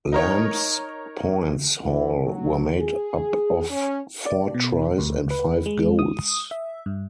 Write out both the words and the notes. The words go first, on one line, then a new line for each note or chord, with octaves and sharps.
Lamb's points haul were made up of four tries and five goals.
D#4 A#4 C#5
E3
F#3
G#4
C#4
D5
B2
D2
B4
G#3
D#6
E5
G2